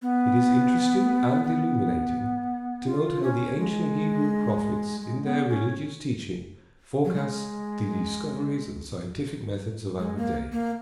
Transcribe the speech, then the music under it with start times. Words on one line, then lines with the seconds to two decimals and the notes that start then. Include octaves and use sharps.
It is interesting and illuminating to note how the ancient Hebrew prophets in their religious teaching forecast the discoveries and scientific methods of our day.
0.02 B3
1.44 B3
2.86 F4
3.22 C#4
3.58 G#3
5.01 G#3
5.24 B3
5.49 C#4
7.05 F#3
7.14 G#3
9.99 G#3
10.17 A#3
10.52 A#3